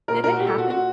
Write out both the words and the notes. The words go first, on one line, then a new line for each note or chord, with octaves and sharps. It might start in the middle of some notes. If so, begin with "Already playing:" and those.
Did it happen?
A#2 A#4
A#2 A#4
F#4
A#2 G4
A4
A#2 F#4
F#4